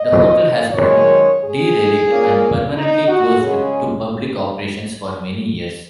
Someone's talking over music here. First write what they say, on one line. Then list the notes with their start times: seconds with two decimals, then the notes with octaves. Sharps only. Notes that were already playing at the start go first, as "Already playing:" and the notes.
The Hotel has been derelict and permanently closed to public operations for many years.
Already playing: D#5
0.71 F#2 D#3 G#3 C#5
1.39 G#4
2.05 A#2 A#3 C#4
2.74 D#4
3.07 F#4
3.40 C#3 G#3 C#4 G#4